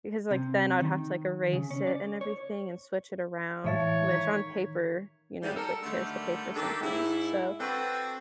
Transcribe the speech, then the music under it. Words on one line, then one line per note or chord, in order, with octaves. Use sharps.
because, like, then I would have to, like, erase it and everything and switch it around, which on paper, you know, like, tears the paper sometimes, so,
C3
D#3
C#3
C#4
D5
C#5
A2 E3 C#5 E5 F5 A6
D#3 G#6 B6
G#2 G3
A4 A#4
D3 D#3 G3 A3
D#3 D4 G4 A4
G#2 E4
C4 D4 F#4 A4 B4